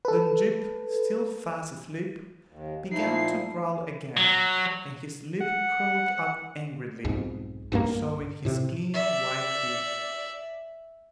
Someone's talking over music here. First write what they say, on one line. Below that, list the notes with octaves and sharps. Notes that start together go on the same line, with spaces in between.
Then Jip, still fast asleep, began to growl again and his lip curled up angrily, showing his clean, white teeth.
A4 B4
D#2
A#2 F3 D#4 E4 C7
F#3
F#5
B1 F2 G#2
B1 G2 D#3 A#3
A2 C3
D5 E5